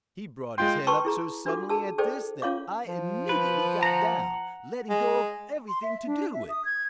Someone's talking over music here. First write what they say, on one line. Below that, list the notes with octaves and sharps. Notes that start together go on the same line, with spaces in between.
He brought his head up so suddenly at this that I immediately got down, letting go of everything to do it.
G#3 F4 G5 C6
B4 G5 A5 C6 C#6 E6
E4 G#4 A#5
D4 F4 F#4 A4 F#5 D6
G#4 A5 E6
G#4 A4 C5 D5 G5
C#4 F4 C#5 F5 D6
F3
B4
F#5 A#5
G#3
C6
E5
D4
E5
D#6
G#6